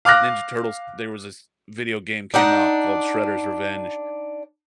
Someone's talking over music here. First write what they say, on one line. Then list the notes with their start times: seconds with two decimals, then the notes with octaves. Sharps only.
Ninja Turtles, there was this video game came out called Shredder's Revenge,
0.05 F5 D6 F6 F#6 A#6
2.34 D4 D#4 F#5